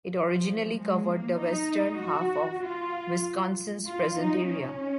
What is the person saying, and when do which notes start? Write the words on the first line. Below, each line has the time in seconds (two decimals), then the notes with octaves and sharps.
It originally covered the western half of Wisconsin's present area.
0.16 F3
0.77 G#3
1.08 A#3
1.39 D#4
2.00 F#4
2.62 F4
3.86 F4
4.17 D#4
4.47 C#4